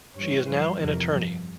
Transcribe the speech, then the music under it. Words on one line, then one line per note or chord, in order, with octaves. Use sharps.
She is now an attorney.
G2 E3 C#5
G2 F3 C5
F2 C3 E3 A#4
G2 F3